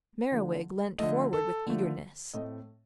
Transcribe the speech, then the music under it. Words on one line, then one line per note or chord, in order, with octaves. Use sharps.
Merriwig leant forward with eagerness.
D3 F3 A3
D3 F3 A3 D#5
A4
D3 F3 A3
A2 A3 C4 D#5